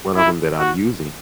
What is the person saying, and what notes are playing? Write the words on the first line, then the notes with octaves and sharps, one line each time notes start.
one of 'em that I'm using,
E4
F#4